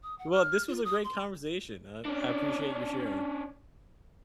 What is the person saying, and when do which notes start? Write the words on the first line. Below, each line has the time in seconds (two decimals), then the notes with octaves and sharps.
Well, this was a great conversation, uh, I appreciate you sharing.
0.03 D#6
0.19 F#5
0.32 F6
0.68 F4
0.85 D#6
1.04 C6
2.05 C#4 D4